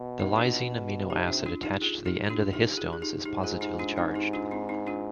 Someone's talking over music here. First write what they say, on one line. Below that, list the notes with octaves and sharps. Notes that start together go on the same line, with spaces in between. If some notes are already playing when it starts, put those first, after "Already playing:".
The lysine amino acid attached to the end of the histones is positively charged.
Already playing: B2
D#4 G4
D4 F4
C3 D#4 G4
D4 F4
D4 F4
D#4 G4
F4 G#4
D#4 G4
D4 F4
D#4 G4
G4
F4 G#4
G#4
D#4 G4
G#2 D#4 G4
F4 G#4
D#4 G4
D4 F4
C4 D#4
D#4 G4
D4 F4
C4 D#4
C4 D#4
D4 F4